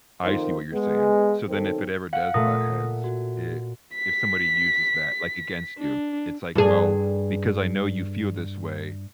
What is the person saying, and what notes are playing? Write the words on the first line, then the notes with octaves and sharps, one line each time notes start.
I see what you're saying, so then if it ever does butt heads, it if somebody uses that, like against you, it's like, "Well, because I know you feel this way.
F2 D#3 A#3 C5
G#3 B3
B1 D#3 C4 A4
F5 F#5
A#2 A3 D#6 A#6
F#4
B6
D4
G2 G#4